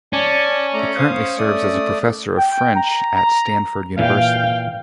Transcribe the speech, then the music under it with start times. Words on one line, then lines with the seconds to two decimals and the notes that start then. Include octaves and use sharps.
He currently serves as a Professor of French at Stanford University.
0.13 C#4 D5 G#5 A5
0.74 A3 D5 A#5
0.97 C5 F5 D#6
1.38 A3 D5 D#6
2.37 G5
2.76 A#5
3.15 A#5
3.98 A#2 E3 F5 G5